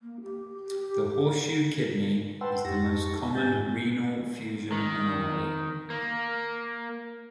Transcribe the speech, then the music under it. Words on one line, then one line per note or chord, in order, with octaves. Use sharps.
The 'horseshoe kidney' is the most common renal fusion anomaly.
A#3
G4
G4
B4 F#5 G5 A5 C6 E6
F2 D#4 G4 A5 C#6 A#6
G#2 B3 G4 G#5 G6 A6
D#3
A#3